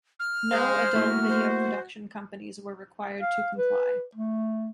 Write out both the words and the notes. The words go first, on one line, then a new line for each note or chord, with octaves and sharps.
No adult video production companies were required to comply.
F6
G#3 C5 F5
A3 A#3 E4 F#4
C5
F5
B4
A3